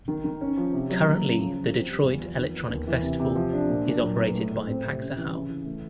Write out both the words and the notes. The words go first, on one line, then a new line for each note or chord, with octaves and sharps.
Currently, the Detroit Electronic Festival is operated by Paxahau.
D#3
D#3
C#4
F3
C3
F#3
A#3
C#3
F3
F3
C4
G3
E2
F3
D#3
B3
D#2
E3
C3
C3
F3
D4
A#2
A#2
F#3
B3
A2
A2
C4
C3
C#4
E3
C#3
E3
A3